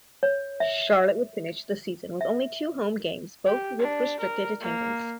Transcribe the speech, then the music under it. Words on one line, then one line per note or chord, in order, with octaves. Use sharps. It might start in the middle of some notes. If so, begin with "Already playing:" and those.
Charlotte would finish the season with only two home games both with restricted attendance.
C#5
E5
E5
G4
D4
A#4
A#3